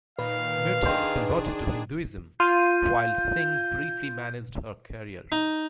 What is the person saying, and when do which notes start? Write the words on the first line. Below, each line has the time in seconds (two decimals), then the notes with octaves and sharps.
Myrtle converted to Hinduism, while Singh briefly managed her career.
0.19 A#2 D#3 B4 F5
0.85 D#3 D4 G#4 C5 A#5
2.40 F4 G6 D#7
5.32 D#4